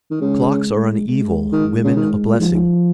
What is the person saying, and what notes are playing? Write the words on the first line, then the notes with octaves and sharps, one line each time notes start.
Clocks are an evil, women a blessing.
D#3
C#3 G#3
G#3
D#3
C#3
D#3
A#2
G#2 F3
G#2